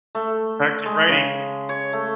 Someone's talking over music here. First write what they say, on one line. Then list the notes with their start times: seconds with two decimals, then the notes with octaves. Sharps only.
actually raining
0.15 A3
0.85 G#3
1.09 C#3
1.69 C#5
1.93 A3